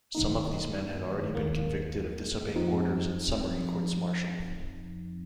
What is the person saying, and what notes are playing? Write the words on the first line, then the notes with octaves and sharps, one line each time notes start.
Some of these men had already been convicted of disobeying orders in summary courts-martial.
G2 D#3 A#3 D#4
D#2 D#3 A#3
F2 F3 C4 D#4